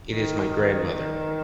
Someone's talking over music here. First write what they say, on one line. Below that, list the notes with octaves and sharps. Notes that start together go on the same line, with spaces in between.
It is my grandmother.
D#3
D#3